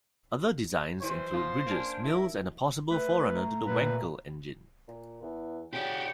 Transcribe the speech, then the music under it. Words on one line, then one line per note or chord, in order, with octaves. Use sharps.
Other designs include bridges, mills, and a possible forerunner to the Wankel engine.
E3 F#3 G3 C5
B2 F4
A#3 C#4 D4
E4 A#4
A3 B4
A#5
A#2 B4
A#2
E2
C#3 F#4 G4 D5 G5